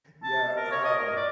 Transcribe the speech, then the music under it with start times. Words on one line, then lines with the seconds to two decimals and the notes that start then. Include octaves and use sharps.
yeah, um
0.23 A5
0.56 A#4
0.71 C#5
0.84 D#5
0.97 A#4
1.16 D5